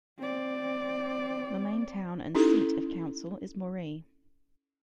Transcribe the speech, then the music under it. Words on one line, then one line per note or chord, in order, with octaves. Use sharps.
The main town and seat of Council is Moree.
C4 D5
C#4 D#4 E4 G4 A4